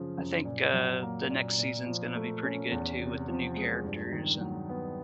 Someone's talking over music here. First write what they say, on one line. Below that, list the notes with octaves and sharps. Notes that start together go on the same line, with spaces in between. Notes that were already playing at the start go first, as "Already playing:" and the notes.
I think, uh, the next season's gonna be pretty good too, with the new characters and
Already playing: F#2 C#3 F3
F#2
A#2
F#3
A#3
A#2
A#2
F3
A3
C#4
E2
C3
F3
G#3
G2
D#3
F#3
B3